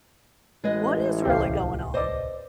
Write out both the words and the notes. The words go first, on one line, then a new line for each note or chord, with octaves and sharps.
What is really going on?
A1 G#3 B4 D#5
D1 C2 G4 C5 F5
B4 C5 D5 D#5